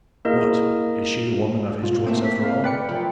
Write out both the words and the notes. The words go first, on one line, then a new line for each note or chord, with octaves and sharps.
'What--is she the woman of his choice after all?'
A#3 E4 G#4 A#4 D#5
B2 F4
A2 A3 A#3 C4
B6
F5
B4 D5 G5 C#7
F#2 F3 F4 B5